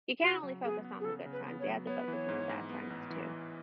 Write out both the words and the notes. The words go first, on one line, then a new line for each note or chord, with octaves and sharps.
you can't only focus on the good times, you have to focus on the bad times, too.
C#3 F#4
F#3
B3 G#4
B3
G#4
C#3 A4
C#3
B4
B3
C#5
F#3
B3 C#5
B4
E3
C#5
G#2
G#2
B3
A1
E3
A1